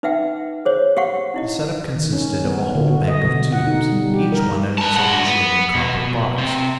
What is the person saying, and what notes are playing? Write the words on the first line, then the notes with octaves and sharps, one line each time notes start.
The set-up consisted of a whole bank of tubes, each one in its own shielding copper box.
D#4 B4 E5 F#5 G5
G#4 C5 C#5
G4 F5 F#5 C#6
D#4 E4 D#5
D#3
C#4
B3
D3
F#4
D#5
B2
F#5
D#4
G3
G4
A#4
B4 A5
G#3 F#5
D4 F#4
B3
B2
C3